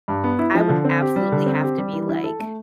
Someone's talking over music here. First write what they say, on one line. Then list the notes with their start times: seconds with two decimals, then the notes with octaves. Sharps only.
I would absolutely have to be, like
0.08 G2
0.24 B3
0.39 E4
0.55 F3
0.69 D3
0.85 C4
1.01 G4
1.16 G3
1.32 D3
1.46 C4
1.63 G4
1.78 G3
1.93 E3
2.09 E4
2.24 A4
2.40 A3